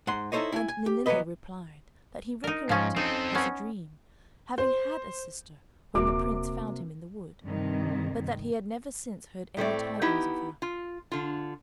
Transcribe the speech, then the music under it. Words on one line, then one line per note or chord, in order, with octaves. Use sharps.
And Nennillo replied, that he recollected, as a dream, having had a sister when the Prince found him in the wood, but that he had never since heard any tidings of her.
G#2 F#5 C6
D#4 E4 A4 C5 C#5 D#5
E4 G#5
G#5
G4
E3 F#3 A3 B3 B4 D#5
D#4 A#4
G#2 F3 C#4
C4 D#4 A4
B3 C#4
C5
D#1 C3 A#3 F#4 D6
G2 C3 D#3
A2 A3 C4 D5
B3 D#4 E4 G4
F4
D3 F4